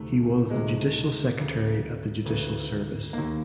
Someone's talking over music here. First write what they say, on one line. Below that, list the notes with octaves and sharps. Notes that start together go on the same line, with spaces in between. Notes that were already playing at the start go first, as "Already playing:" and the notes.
He was the judicial secretary at the Judicial Service.
Already playing: D2 C3 D#3 A3
D2 C3 D#3 G#3
D2 C#3 E3
D2 C#3 E3
D#2 D#3 A#3